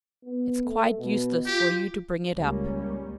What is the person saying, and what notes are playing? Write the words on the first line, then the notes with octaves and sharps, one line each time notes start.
It's quite useless for you to bring it up.
B3
A3
B2
F4 G4
C#2 G3 A#3 C#4